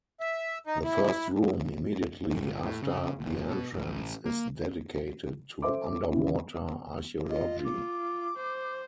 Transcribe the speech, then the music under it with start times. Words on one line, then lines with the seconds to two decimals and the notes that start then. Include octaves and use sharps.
The first room immediately after the entrance is dedicated to underwater archeology.
0.20 E5
0.67 D#4
0.84 E4
2.32 G1
2.65 A2
2.83 C#3
3.20 F1
3.48 B2
3.73 A1
4.25 A#3
5.62 A4 C5 E5 D6
6.13 C#3 E3
7.29 F4 D#5
7.64 D6
8.37 C5